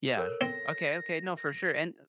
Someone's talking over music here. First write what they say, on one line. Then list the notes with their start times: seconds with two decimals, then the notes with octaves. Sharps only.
Yeah. Okay, okay. No, for sure, and, eh
0.17 A4 A#4 C#5
0.41 C4 A#6
1.37 A#6